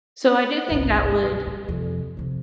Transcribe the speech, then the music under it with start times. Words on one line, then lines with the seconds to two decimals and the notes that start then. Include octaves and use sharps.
So I do think that would
0.69 G1 C2
1.23 D#1 B1
1.47 A#2
1.68 F2 C3
2.17 C3 F3